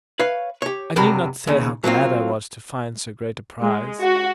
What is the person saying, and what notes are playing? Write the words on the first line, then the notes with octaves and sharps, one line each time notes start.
I need not say how glad I was to find so great a prize.
B4 C#5 F5
G4 C#5
C#2 F#2 C3 D4 A#4 B5
D#2 C#3
F#3 A#3 C4 F4
G#3
F#4